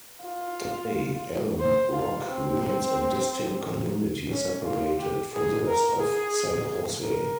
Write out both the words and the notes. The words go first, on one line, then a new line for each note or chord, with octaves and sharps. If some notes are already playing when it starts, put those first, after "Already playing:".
Today, Alum Rock remains a distinct community separated from the rest of San Jose.
F4
C5
F4
C4
C#4
F4
G4
G#4
A#4
G#4
A#4